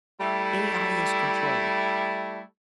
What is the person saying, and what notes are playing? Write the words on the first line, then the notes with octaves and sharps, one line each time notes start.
AI is controlling?
G3 A3 E4